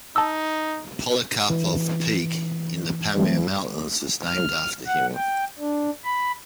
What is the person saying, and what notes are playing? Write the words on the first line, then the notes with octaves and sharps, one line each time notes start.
"Polikarpov Peak" in the Pamir Mountains was named after him.
D#4 A5 D#6 E6
E3
E3 F#3 G3 A3 C4
F6
F#5
G5
D4
B5